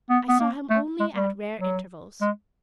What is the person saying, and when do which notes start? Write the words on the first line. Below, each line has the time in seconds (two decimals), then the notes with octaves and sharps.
I saw him only at rare intervals.
0.09 B3
0.28 B3
0.40 A#3
0.70 A3
1.00 G#3
1.16 G3
1.60 F#3
2.21 G#3